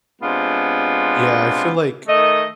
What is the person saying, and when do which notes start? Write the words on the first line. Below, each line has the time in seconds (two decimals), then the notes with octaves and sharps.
yeah, I feel like
0.22 C3 G#3 B3 D4 F4
2.08 D#3 A3 D#5